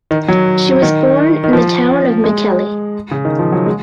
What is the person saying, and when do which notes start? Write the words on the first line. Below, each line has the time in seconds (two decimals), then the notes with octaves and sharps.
She was born in the town of Mikkeli.
0.11 D#3
0.28 F#3
0.82 D#3
1.44 D#3
1.53 F3
2.24 G#3
3.11 C#3
3.25 D#3
3.39 F3
3.52 F#3
3.66 G#3